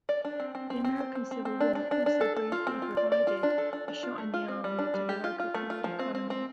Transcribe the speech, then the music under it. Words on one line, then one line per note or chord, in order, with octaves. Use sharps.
The American Civil War, also, briefly, provided a shot-in-the-arm to the local economy.
D5
D4
C4
C4
C4
C4
C5
C4
C4
C4
D4
D4
D4
D4
A4
A4
F4
C4
F4
D5
D5
F4
D4
A4
D4
D4
F4
A3
F4
C4
G3
D4
G3
G4
F4
F4
A3
F4
F3
C4
C4
C4